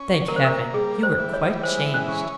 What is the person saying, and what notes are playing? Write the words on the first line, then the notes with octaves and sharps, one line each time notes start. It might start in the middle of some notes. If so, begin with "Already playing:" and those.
'Thank heaven, you are quite changed.'
Already playing: C#4
A#3 A#4
C5
A#4
G3 G#4
C5
E3
C#5
G#3 C5
C#4
C#4